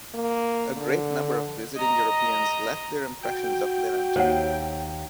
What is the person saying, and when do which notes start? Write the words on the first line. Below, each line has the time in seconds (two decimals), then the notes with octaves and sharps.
A great number of visiting Europeans left their impressions of Linant.
0.14 A#3
0.77 D3
1.76 D#5 A#5
3.23 F#4 G5
4.16 D#2 C5 C#5 F#5